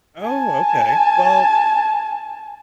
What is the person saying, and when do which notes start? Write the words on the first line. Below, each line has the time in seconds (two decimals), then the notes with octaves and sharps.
Oh, okay, well,
0.21 G#5 A5